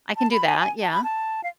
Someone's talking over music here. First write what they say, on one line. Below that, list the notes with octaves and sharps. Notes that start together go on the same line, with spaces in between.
I can do that, yeah.
A5
B5
G#5
G#5
A5
B5
A5
F5